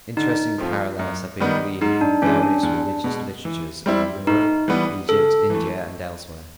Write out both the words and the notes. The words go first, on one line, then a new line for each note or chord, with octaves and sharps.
Interesting parallels have been gleaned from various religious literatures in Europe, Egypt, India, and elsewhere.
D3 D#4
F3 A3 C4 F4
F#2
D#3 G3 B3 D#4
G#2 D#4
D4
E3 G#3 C#4
D4
E2
B2 G#3
E3
G3 C4 E4
A2 D#4
E3 G3 B3
C#3 A4
E3 A3